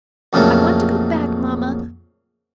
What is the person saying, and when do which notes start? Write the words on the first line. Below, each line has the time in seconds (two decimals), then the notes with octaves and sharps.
I want to go back, mamma.
0.33 F2 A#2 C#3 F#3 A3